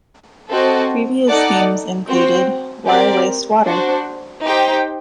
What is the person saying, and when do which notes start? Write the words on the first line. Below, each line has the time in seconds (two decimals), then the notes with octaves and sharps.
Previous themes included: 'Why waste water?
0.50 C4 F#4 A4 D#5 A5
1.29 D#4 A4 D5 F#5
2.08 C4 F#4 C5 G5
2.87 C4 G4 A#4 D5
3.65 D4 F#4 C5
4.44 D#4 G4 C5 G5